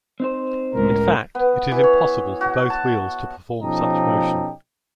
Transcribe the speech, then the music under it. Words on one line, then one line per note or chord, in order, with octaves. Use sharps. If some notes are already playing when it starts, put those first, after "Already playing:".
In fact, it is impossible for both wheels to perform such motion.
C4 D#4 C5
C#2 A2 A#4
B3
E3
C#5
F#4
A5
B2 F3 C#4 D#4 G4 A4